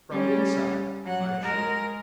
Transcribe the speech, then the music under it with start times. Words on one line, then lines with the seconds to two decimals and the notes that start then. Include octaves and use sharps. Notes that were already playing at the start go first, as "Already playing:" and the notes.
"From inside," I assured her.
0.11 G3 C#4
1.04 F#3 F#5
1.40 G#3 A#4